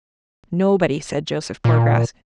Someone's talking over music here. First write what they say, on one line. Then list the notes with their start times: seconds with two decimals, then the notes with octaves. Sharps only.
"Nobody," said Joseph Poorgrass.
1.65 A#2